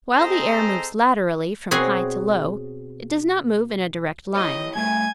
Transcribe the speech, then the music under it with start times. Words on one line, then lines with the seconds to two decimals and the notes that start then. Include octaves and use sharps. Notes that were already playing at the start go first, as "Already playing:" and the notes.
While the air moves laterally from high to low, it does not move in a direct line.
0.17 C4 G#4 A4 C5 D#5 A#5
1.71 B2 C4 G#4 C#5 D#5 F#5
4.35 E4 G4 C#5 D#5
4.75 G2 A3 E5 G#5 G#6